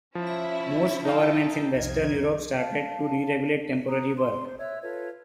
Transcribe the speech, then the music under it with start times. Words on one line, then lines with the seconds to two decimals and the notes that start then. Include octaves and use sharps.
Most governments in Western Europe started to deregulate temporary work.
0.15 F3 C#4 E4 E5
1.05 D#4 E4 F5 G5 A5
1.74 C2 F2 G#6
2.58 F5 A5
3.88 A#5 D#6 F#6
4.17 C6
4.47 C5
4.59 C#5 E5 E6 F#6
4.82 F4 A4 B4 C#5